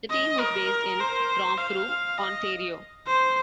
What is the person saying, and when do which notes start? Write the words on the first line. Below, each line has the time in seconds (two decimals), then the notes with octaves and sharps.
The team was based in Renfrew, Ontario.
0.10 D#5
0.40 A#4
1.00 C5
1.58 F5
2.18 D#5
3.07 C5